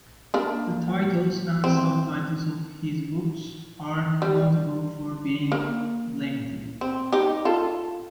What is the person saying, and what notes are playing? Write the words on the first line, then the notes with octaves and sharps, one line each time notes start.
The titles and subtitles of his books are notable for being lengthy.
A#3 D4
C4
G3
A#3
C4
D#4 G4
F4 A4